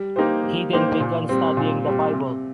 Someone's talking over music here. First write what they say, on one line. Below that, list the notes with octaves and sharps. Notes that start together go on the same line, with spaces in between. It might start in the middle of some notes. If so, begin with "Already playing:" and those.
He then began studying the bible.
Already playing: G3
A#3 D#4 G4 C5
G3
A#3 D#4 G4 C5
A#2
G3 C4
A#2
G3 C4
C3